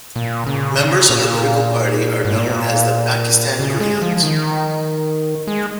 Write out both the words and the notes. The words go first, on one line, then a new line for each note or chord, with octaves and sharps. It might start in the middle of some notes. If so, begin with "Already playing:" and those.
Members of the political party are known as the "Pakistan Greens".
A#2
C#3
C#3
A#2
G#2
A#2
C#3
G#3
F3
F3
D#3
G#3